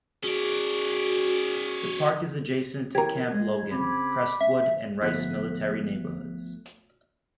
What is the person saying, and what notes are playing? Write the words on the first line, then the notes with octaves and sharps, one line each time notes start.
The park is adjacent to the Camp Logan, Crestwood, and Rice Military neighborhoods.
C#4 F#4 G#4 D5
D#2 E3 G4 A#4 C#5 G#6
G#3 D#5
C#3 C4 C#4 B5 D6
C#4 E5
G1 F3 A3 B3 F#6 B6